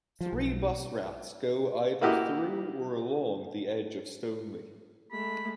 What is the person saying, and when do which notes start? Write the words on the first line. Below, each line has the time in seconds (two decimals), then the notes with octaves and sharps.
Three bus routes go either through or along the edge of Stoneleigh.
0.21 F3
0.33 B1
2.01 A#3 E4 F#4 G4 D#5
5.12 G#3 A3 B5